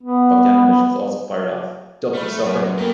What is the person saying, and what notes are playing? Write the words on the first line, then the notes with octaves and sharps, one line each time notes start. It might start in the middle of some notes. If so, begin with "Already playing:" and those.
Bogdanovich was also fired off Duck, You Sucker!
B3
A3 B5 F6
F#2 A#4 B4
F#3 A#3 A4 A#4 G5